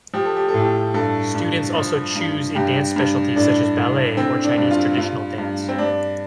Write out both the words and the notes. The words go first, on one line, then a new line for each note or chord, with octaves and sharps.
Students also choose a dance specialty such as ballet or Chinese traditional dance.
F3 G4
A4
G4
A4
A2
G4
G2 A4
G2
F3
G2
G2 G4
G2
A2 D4
A2
D3 C4
D4
G2
F4
G2 F4
G2
C4
G2 D4